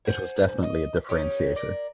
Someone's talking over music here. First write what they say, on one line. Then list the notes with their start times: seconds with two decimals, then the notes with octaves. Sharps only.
It was definitely a differentiator.
0.05 C5 F#5 G#5
0.63 D#5
1.09 C#4 D#4 G4
1.56 A#4 D5